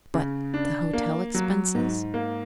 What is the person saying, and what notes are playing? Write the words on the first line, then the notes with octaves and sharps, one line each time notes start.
"But the hotel expenses?"
C#3
D4
A#3
F#3
G#2
A#3